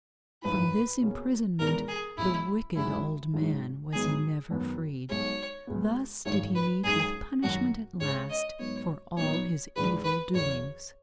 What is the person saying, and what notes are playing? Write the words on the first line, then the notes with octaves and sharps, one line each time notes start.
From this imprisonment the wicked old man was never freed. Thus did he meet with punishment at last for all his evil doings.
G#1 F#2 E3 B4
B2 A#3 C#4 G#4
E1 E2 D#3 G#3 B3 A#4
G#4
C#2 B2 F#3 E4
F#2 E3 G#3 D#4 E4 F#4
A#1 G#2 F#3
G#2 D#3 F#3 B3 D#4 G#4
F#2 D#3 F#3 B3
B1 B2 G#3 C#5
C#2 B2 G#3 B3
G#1 F#2 C#3 F#3 C#5
B4
F#2 C#3 G#3 D#4 G#4
F#2 D#3 F#3 F#4
C#2 C#3 G#3 C#5
D#5
G#2 F#3 B3 C#5
A#2 F#3 B3 D#4 C#5
E1 E2 D#3 G#3 B4
B4
E2 C#3 F#3 C#4 C#5